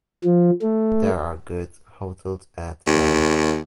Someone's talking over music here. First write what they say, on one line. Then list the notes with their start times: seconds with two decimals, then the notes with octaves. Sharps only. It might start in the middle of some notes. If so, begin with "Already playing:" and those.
There are good hotels at Vani.
0.24 F3
0.62 A3
2.87 D#2